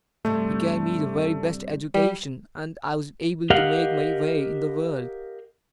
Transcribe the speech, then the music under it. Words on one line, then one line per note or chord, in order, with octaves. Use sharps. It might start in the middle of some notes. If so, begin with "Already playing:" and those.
He gave me the very best education, and I was able to make my way in the world.
G2 C3 G3 A3
G3
G4 A#4 D#5 F5 F#5